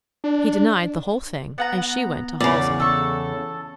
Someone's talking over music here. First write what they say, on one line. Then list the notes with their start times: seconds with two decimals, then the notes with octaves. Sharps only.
He denied the whole thing, and she went to Halsey.
0.24 D4
1.58 B3 F#5 A#5
2.40 E2 C#3 D5
2.80 A4 C#6